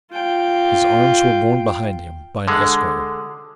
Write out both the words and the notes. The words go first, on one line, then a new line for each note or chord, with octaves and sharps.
His arms were borne behind him by an esquire.
F4 G5
D3 G#3